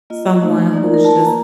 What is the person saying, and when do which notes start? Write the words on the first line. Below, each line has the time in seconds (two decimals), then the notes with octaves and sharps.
someone who's just
0.10 A#3 F4 D#5
0.41 A3 D#4
0.73 A#3 D#4 D5
0.83 A#4
0.94 A#4
1.04 F4 A5
1.09 A#3
1.15 A5
1.25 A#5